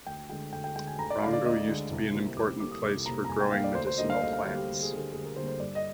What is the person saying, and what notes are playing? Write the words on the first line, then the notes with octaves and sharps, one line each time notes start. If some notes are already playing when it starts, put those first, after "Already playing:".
Rongo used to be an important place for growing medicinal plants.
D2 G5
D3 G#3 G5
D2 G5
G5
D3 G#3 G5
G#5
D2 A#5
D5
D3 G#3 F5
D5
D2 D#5
D3 G#3
C2
C3 G3 A#3
C2 D6
C3 G3 A#3 D6
D#6
C2 D6
C3 G3 A#3 A#5
A#5
C2 G#5
G5
C3 G3 A#3 F5
D5
D2 C5
C5
D3 G3 A#3 D#5
F5
D2 D#5
F5
D3 G3 A#3 F5
G4
D2
G#4
D3 G3 A#3
G#4
D2 G#4
A#4
D3 G3 A#3 C5
C5
G2 D5
D#5